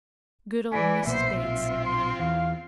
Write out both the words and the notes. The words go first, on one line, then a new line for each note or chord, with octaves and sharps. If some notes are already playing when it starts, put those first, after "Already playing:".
Good old Mrs. Bates.
E3 D5 G#5
B1 A#2 A#3 B3 C5 E5
C4 F4
C6
E2 E3 F5